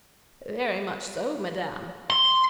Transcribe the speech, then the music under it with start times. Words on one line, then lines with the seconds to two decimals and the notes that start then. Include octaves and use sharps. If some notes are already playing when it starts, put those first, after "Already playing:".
"Very much so, madame."
2.10 C6